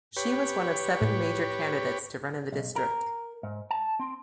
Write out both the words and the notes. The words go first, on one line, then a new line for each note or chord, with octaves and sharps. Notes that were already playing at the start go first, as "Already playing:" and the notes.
She was one of seven major candidates to run in the district.
G4 B4 C#5
A2
B1
A#4
G#2
A5
C4